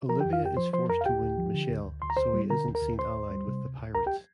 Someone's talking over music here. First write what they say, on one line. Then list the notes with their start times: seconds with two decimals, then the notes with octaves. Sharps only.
Olivia is forced to wound Michel so he isn't seen allied with the pirates.
0.09 F3 A#4 A#5
0.21 G4 G5
0.25 F2
0.33 F4 F5
0.41 F2 G4 G5
0.57 F3 C5 C6
0.73 F3 C5 C6
0.89 F2 A#4 A#5
1.01 F5
1.05 D2 G4 G5
1.22 D2
1.38 F3
1.54 D3
1.70 D2
1.86 D2
2.02 D2 C6
2.10 A#5
2.17 D2 C5 C6
2.34 G3
2.50 D3 A#4 A#5
2.66 D2
2.75 A#4 A#5
2.82 D2
2.98 D2 C5 C6
3.14 D2
3.31 G3
3.47 C3
3.63 D2
3.79 D2
3.95 C2 A#4 A#5
4.06 G4 G5